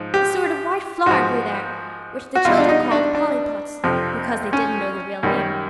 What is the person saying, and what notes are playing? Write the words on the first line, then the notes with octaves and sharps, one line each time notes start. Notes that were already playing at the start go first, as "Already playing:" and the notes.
A sort of white flower grew there, which the children called Pollypods, because they didn't know the real name.
Already playing: G#2 F3
G4
G#2 F3 F#4
F#4
E2 B2 G3 F4
D4
D#4
D4
D4
F2 C3 F3
C#4
F#2 D#3 G3